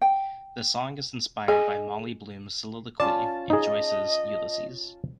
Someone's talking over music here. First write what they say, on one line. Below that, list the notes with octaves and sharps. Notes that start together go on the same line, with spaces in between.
The song is inspired by Molly Bloom's soliloquy in Joyce's "Ulysses".
G5
G#4 D#5 G#5
C#4 F4 D5 A5
D#4 G#4 D#5